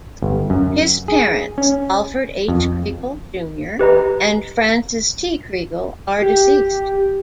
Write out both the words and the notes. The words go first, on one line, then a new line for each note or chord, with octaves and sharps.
His parents, Alfred H. Kregel Junior and Frances T. Kregel, are deceased.
G1
F#2
G#4
C#4
F2
G4 B4 D#5 A#5
G4